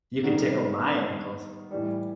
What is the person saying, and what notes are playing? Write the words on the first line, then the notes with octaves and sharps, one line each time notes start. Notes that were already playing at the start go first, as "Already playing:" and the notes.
You can tickle my ankles.
D#3 G3 B3 D#4 F#4
A2 E3 G3